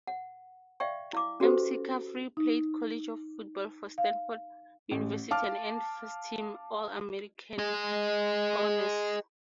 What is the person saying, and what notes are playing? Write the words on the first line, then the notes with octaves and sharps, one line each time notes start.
McCaffrey played college football for Stanford University and earned first-team All-American honors.
F#5
D5 E5 F5 G5 C#6
E4 F5 D6
C#4 F#4 G4 A4 B4 C5
D#4
F5
A1
F5 A5 D6 F6
G#4 D#5